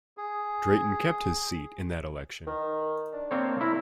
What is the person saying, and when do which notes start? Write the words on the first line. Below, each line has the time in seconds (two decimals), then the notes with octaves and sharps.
Drayton kept his seat in that election.
0.17 G#4
2.47 D#3
3.13 D4
3.31 A#3 C4 C#5
3.61 E4 A#4